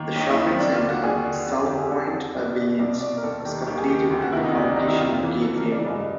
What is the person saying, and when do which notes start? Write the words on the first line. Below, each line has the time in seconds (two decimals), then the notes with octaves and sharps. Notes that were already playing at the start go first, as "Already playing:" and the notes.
The shopping center Southpointe Pavilions was completed in competition of Gateway Mall.
Already playing: D#2 D#3 A#3
0.16 D#2 D#4
0.30 E4
0.38 D#3
0.45 C4
0.59 D#2 D4
0.74 F4
0.82 D3
0.89 F#4
1.03 D#2 G#4
1.25 D3
1.47 F2
1.65 G4
1.70 D3
1.78 G#4
1.91 F2 A4
2.13 D3
2.35 C2 D5
2.57 B2
2.79 C2 D5
3.01 B2 D5
3.17 A#4
3.23 D#2 A4
3.45 D#3 G4
3.67 D#2 G4
3.78 G#4
3.88 D#3 G4
4.11 D2
4.22 F#4
4.32 C3 D#3 E4
4.44 D#4
4.55 D2 D4
4.65 D4
4.76 C3 D#3 D#4
4.88 E4
4.98 F2 F4
5.20 C#3 E3
5.42 F2 A4
5.57 A#4
5.64 C#3 E3
5.72 D5
5.86 G2 D#5